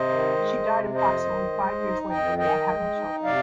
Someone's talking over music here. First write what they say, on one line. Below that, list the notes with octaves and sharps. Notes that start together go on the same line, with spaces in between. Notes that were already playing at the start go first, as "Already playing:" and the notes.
She died approximately five years later without having children.
Already playing: C3 C5 D#5
D#3
G#3
C3
F2 C5 D#5
D#3
G#3
D#4
F2 D#5 G5
D#3 D#5 G5
G#3
D#4
C3 D5 F5